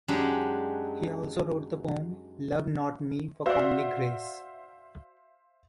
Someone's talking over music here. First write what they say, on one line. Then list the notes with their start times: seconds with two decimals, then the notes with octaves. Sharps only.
He also wrote the poem, Love not me for comely grace.
0.08 F#2 F#3 G#3 D4 D#4 G4
3.46 F#4 C5 D5 E5 F5